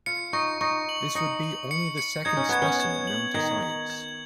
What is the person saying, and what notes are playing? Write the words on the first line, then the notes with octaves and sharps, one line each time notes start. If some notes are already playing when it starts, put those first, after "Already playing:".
This would be only the second specimen known to science.
F4 C#7
D#4 C#6
D#4 C#6
F#7
D#4 C#7
F#7
C#7
C#7
D#4 G#6
C#4
B3 G#6
C#4
G#6
F#7
D#3 G#6
F#7
G#6